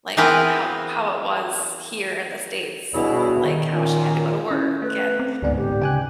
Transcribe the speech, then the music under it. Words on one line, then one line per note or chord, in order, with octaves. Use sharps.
like how how it was here in the States. Like, how she had to go to work and,
E3 B3 C4 G#4 A#4 B4
G2 B2 E4 G#4 C#5 D5
D#3 G3 D#4
A#2 C#4
C#4 E4
A3 B4
C4
G1 D2 G#2 B3 D5
A2 G4
C#3 G5 G#5 F#6